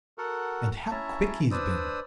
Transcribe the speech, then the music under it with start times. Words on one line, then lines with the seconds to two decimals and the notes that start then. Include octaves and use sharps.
And how quick he's been!
0.18 F#4 A4 A#4 F#5
0.91 C#4 E4 C#5 E5 A5 A#5
1.51 D4 B4 C5 D5 D#6 E6